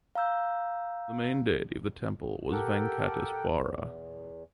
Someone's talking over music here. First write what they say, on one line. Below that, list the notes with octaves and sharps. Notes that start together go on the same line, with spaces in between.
The main deity of the temple is Venkateswara.
F5 A#5 E6 G6
G4 A4 A#4 F#5 G5
E2